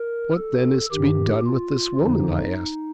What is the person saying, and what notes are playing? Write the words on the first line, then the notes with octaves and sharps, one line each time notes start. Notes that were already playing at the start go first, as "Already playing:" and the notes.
"What, then, is to be done with this woman?" I asked.
Already playing: A#4
A4
G2 D#3 G4
F4
F2 D3 F3 D#4